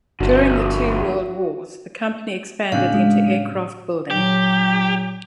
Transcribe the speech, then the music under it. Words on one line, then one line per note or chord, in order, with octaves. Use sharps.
During the two world wars, the company expanded into aircraft building.
G1 D3 F3 F#4
A2 C#3 C4 D4 F5
G#3
A#2 F#3 G4